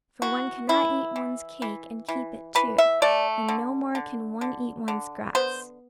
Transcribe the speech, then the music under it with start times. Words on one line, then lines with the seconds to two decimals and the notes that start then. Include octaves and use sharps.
For one cannot eat one's cake and keep it too; and no more can one eat one's grass.
0.22 E3 F#4
0.69 E3 E4
1.16 E3
1.62 E3
2.08 E3
2.55 E3 B4
2.78 E5
3.02 A3 D5
3.48 D3
3.95 D3
4.41 D3
4.88 D3
5.35 B3 C5